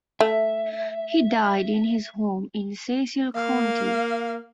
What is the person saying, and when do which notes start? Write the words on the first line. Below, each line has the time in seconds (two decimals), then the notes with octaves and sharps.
He died in his home in Cecil County.
0.20 A3 E5
3.35 A#3 F5